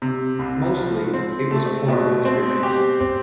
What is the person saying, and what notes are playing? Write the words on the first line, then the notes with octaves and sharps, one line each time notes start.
Mostly, it was a horrible experience.
C3
C2
F3
C4
A3
B2
C4
G4
C4